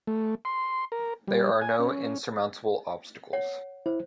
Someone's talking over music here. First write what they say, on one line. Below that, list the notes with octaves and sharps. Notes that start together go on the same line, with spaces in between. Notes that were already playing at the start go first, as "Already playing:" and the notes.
There are no insurmountable obstacles.
A3
C6
A#4
G3
G#5
C#4
C#5 F#5
E4 C5